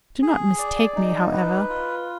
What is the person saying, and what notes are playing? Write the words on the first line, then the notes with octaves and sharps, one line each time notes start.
Do not mistake me, however.
G#4
D5
D#4
B4
F4